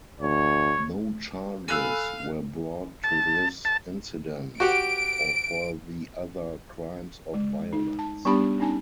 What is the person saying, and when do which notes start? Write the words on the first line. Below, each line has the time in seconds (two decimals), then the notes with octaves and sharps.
No charges were brought to this incident, or for the other crimes of violence.
0.20 D2 C#5
1.68 A4 F5 G#5 B5 E6 F#6 D#7
3.04 A5
3.65 A5
4.60 F#4 G4 F#5 D7
7.34 G#3
7.73 D#4
7.99 A5
8.25 G3 B3 D4 G4 B5
8.60 C#4 D#4 G#5 A5